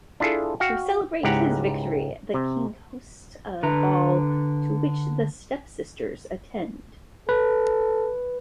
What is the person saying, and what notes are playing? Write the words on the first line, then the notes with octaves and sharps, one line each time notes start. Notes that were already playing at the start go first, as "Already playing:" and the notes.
To celebrate his victory, the king hosts a ball to which the stepsisters attend.
D4 E4 F4 G#4 A4
F#4 F5 G5
C#2 G#2 E4 G4 F#5 A#5
C3
D3 B4 A#5
A4 B4